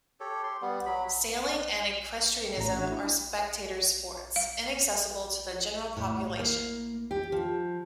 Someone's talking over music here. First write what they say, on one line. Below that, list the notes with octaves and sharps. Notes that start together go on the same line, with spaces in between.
Sailing and equestrianism are spectator sports, inaccessible to the general population.
G4 A4 C#5
G4 C6
G3 B3
F#3 B5
G5
A1 A3 A#5
A3 D4 F#4
E4
F5
A2
A#3
G4
F3